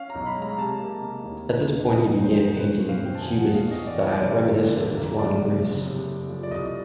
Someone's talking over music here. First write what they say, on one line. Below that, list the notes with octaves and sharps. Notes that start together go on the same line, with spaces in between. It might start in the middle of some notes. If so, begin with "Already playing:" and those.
At this point, he began painting in a Cubist style reminiscent of Juan Gris.
Already playing: C#4 F5
A#5
B1
B5
G#3
A#5
C3 A5
A#3
C3
D#2
A3
E3
F2 D#5
D#3
C5
F2
B2 B4
C5
B2
F5
B2
G5
A5
E2 G#5
F#5
E2
F5
B2
D#5
A1 D5
C#5
E3 D5
E3
D3
F2
A#3
F#2 D5
F#1
F#1
C3
A3
F3
D5
C2 D#5